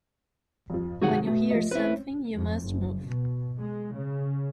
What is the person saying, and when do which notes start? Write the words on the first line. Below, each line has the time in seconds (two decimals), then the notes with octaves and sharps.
When you hear something, you must move.
0.70 F2 F3
1.02 C3 D#3 F#3 F#4 G#4 F#5
1.27 B2 A3
1.51 F3 D#5
1.71 C4 C#4 E4 B4
2.35 F2
2.66 F#1
3.06 B2
3.59 G#3
3.96 C#3